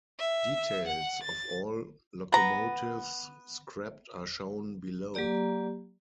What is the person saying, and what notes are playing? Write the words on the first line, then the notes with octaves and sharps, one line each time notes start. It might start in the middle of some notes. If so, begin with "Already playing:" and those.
Details of all locomotives scrapped are shown below.
E5
F#5
A6
B3 A#5
F#3 A#3 G4 D5 A#5